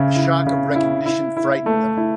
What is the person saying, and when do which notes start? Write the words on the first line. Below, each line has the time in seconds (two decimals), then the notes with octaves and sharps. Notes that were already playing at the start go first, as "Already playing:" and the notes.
The shock of recognition frightened them.
Already playing: C#3 C#4 E4
0.16 E4
0.46 C#3
0.76 E4
1.06 E4
1.37 E4
1.66 A3
1.97 E4